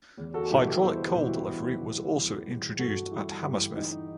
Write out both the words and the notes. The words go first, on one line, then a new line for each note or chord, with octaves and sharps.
Hydraulic coal delivery was also introduced at Hammersmith.
E2
F#4 A4
B2 G3 E4 G4
G4 B4
E2 A4 C5
G4 B4
B2 G3
F#4
E4 G4
E2
B2 G3
E2
B2 G3
G2 F#4 A4
E3 G3 E4 G4
G2 E4 G4
E3 G3 D#4